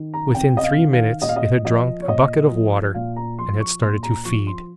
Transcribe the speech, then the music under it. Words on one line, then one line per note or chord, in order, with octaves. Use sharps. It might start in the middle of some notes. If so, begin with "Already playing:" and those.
Within three minutes it had drunk a bucket of water and had started to feed.
Already playing: D#3
A#5
C3 G5
D#5
F5
D#3
F5
A#2 D#5
F5
D#5
F3 D#5
C#5
A#2 D#5
F3
A#2 F5
A#5
F3 C6
C#6
A#2 C6
A#5
F3 C#6
C6